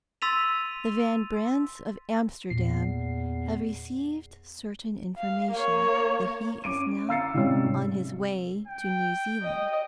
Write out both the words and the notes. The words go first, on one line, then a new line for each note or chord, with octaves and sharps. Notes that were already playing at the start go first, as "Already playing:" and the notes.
The Van Brandts of Amsterdam have received certain information that he is now on his way to New Zealand.
C6 E6 A6 B6 D#7 F7
E2 A#2 C7
F5
A#3 C#5
C#4 D6 D7 D#7
F5 A#5 E6 A6 C7 C#7
G#2 C3 G3 C#4 C#5 E6
G5
D#5